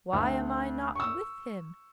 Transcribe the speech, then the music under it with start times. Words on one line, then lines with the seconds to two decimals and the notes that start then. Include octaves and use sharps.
Why am I not with him?
0.13 D2
0.95 C#6 E6